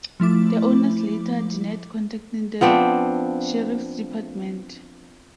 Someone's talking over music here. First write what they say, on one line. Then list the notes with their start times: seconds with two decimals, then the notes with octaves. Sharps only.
The owners later denied contacting the Sheriff's Department.
0.20 F3 A3 E4 D6
2.61 F3 B3 C4 D4